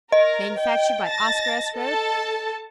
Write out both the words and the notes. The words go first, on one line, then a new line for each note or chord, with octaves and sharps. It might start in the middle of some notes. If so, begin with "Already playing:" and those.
Manufactured by OSCAR S. RHOADS.
A#4 D#5
G5
A5 A6 A#6
A4 A5